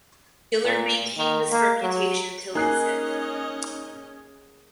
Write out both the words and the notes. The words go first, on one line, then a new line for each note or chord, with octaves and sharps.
Gillard maintained this reputation until his death.
A#2
D#3
A#3
F#3
A#3 C#4 D#4 G#4 D#5 F#6 C7